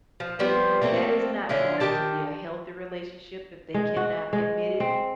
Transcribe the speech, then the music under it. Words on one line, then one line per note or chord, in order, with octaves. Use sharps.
that is not going to be a healthy relationship if they cannot admit it
F3
F3 G3 B3 C4
A3 A#3 C4 A4
D3 C#4 E4 F4
D#3 G4 A5
G#3
F#4
G#3
C4